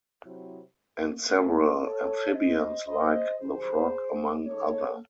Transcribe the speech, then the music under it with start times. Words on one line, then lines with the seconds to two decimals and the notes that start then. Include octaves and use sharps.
And several amphibians like the frog, among other.
0.23 C3 F#3 C4 E4
1.29 C3 F#3 A3
1.82 A4 C#5
2.34 C3 F#3 C4 C5 D#5
2.87 C5 D#5
3.40 C2 C3 D#3 F#3 G#4 C5
4.45 C#3 G#3 D#4 A4 C#5